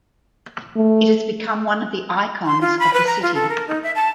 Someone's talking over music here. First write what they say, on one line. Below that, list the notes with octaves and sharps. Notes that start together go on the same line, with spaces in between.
It has become one of the icons of the city.
A3
C6
F4
B5
B4
A#5
F4
A4
A#4
D#4
E5
A5